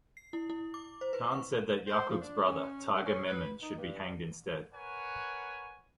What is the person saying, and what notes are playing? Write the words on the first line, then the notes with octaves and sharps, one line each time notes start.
Khan said that Yakub's brother, Tiger Memon should be hanged instead.
C7
E4
E4
D6
C5
B4
C#6
C5
F3
D4
C#4
G2
C#4
B4
D#4
G2
G3
A#4 B4 C#5 F#5 G#5